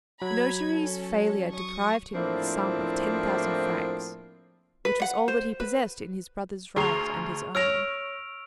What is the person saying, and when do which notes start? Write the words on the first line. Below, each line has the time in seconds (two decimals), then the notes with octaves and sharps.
A notary's failure deprived him of the sum of ten thousand francs, which was all that he possessed in his brother's right and his own.
0.22 F#3 B5 G#6
0.78 C#4 A4
1.52 C#6 D#6
2.14 A2 F3 A#3 C4 D4 E4
4.85 B4
5.02 F#5
5.28 C5
5.60 B4
6.76 D2 G#4 A#5 C#6 C7 F7
7.55 C#5 E6 F6 A#6 D7 F7